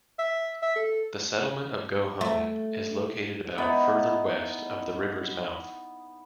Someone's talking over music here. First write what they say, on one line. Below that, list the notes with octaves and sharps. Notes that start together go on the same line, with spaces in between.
The settlement of Go Home is located about further west of the river's mouth.
E5
E5
A4
A3
B3 D#4 E4